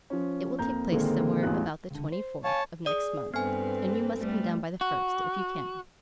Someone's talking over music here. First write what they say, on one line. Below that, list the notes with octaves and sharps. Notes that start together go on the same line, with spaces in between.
It will take place somewhere about the twenty-fourth of next month; and you must come down by the first, if you can.
F3 C#4
F2 A#3 A#5 G6
A#2 D3 D#3 G#3 A#3 C4
A1 E2 G#3 D#4 F4 F#6
C#2 D3
C5
C#5 F5 F#5 G#5 A5
G#4 D5 D#6
G2 B3 C4 A4 B4 G#5
G3 A3
F#4